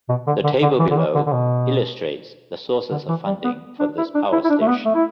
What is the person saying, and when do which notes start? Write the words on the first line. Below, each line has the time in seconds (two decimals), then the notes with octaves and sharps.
The table below illustrates the sources of funding for this power station.
0.09 B2
0.27 D3
0.44 D3
0.62 D3
0.79 E3
0.91 D3
0.97 E3
1.15 D3
1.26 D3
1.33 B2
2.91 D3
3.09 E3
3.26 G3
3.44 B3
3.80 D4
3.98 E4
4.15 D4
4.32 E4
4.44 E4
4.49 D4
4.61 A3
4.68 B3
4.85 A3
4.95 E4